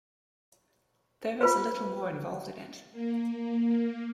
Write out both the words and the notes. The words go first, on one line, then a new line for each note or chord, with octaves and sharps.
There is a little more involved in it.
F4 B4 C5
A#3